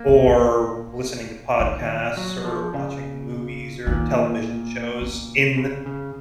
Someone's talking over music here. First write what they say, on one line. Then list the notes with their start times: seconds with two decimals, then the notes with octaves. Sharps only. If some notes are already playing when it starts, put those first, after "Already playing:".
or listening to podcasts or watching movies or television shows in
Already playing: A#3
0.08 C3
0.27 C#3
1.60 D#3
2.17 F#3
2.45 F3
2.74 C#3
3.87 A#2 D#3
5.01 C#3
5.57 C#3
5.86 C#3